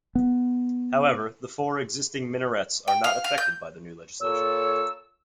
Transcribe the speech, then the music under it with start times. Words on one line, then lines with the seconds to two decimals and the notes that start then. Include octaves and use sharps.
However, the four existing minarets are not affected by the new legislation.
0.15 B3
2.88 G5
3.04 F5
3.24 F5
3.38 G6
4.21 A#2 A4 C#5 E6